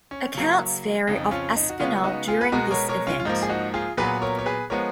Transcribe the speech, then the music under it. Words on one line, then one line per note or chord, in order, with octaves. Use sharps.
Accounts vary of Aspinall during this event.
C#4
C#3 F#3 A#3
F2 C#3 F3 D#4
C#4 F4
D#4
F#4
C#3 G#3 B3 C#4 F4
D#4 F#4
F4 G#4
B4
B2 G#3 B3 F#4 A#4
A#4 C#5
A#4 C#5
C#4 F4
F4
G#2 F3 A#3 D#4
G#4
D#4 F#4
F4 G#4
A#2 F#3 B3 G#4 B4
A#4 C#5
C#5
G#4 B4
F3 G#3 B3 A#4 C#5